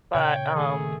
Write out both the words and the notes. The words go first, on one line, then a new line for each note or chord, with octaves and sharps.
But, um
A#2 C#3 C#5 G5
D#3 A3 G#4